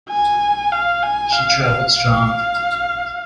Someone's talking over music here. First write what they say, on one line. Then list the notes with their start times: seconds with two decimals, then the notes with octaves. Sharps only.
She travelled strong.
0.10 G#5
0.72 F5
1.03 G#5
1.35 F5
1.65 F5
1.96 F5